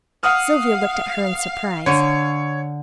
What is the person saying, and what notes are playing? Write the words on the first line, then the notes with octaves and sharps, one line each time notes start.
Sylvia looked at her in surprise.
F5 F#5 D#6 F6
D3 C#5